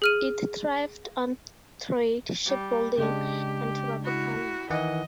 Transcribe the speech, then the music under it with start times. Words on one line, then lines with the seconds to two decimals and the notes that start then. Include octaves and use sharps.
It thrived on trade, shipbuilding and tobacco farming.
0.02 G#4 F6 D#7
2.46 G3
2.98 C#3 G#3 D4 G4
4.02 E4 F#4
4.70 D#3 E3 D#5 F#5